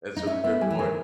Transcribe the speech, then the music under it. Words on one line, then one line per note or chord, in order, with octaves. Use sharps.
that's a bit much,
D#4
C#4 E5
B3 E5
G3 G#5
E3
D#3 G#5